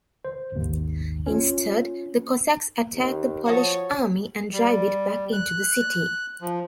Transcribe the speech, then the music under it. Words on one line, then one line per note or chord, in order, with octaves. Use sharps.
Instead, the Cossacks attack the Polish army and drive it back into the city.
C5
G#1 D#2
C#4 F4
D#2
F3 F#4 C#5 A5 D#6
G3
F#6
F3